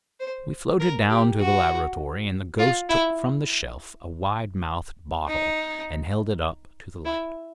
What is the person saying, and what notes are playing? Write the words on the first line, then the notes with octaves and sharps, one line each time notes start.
We floated down to the laboratory, and the ghost took from the shelf a wide-mouthed bottle and held it up to the light.
C5
A#4
G4
F#4
F4
E4
D#4
E4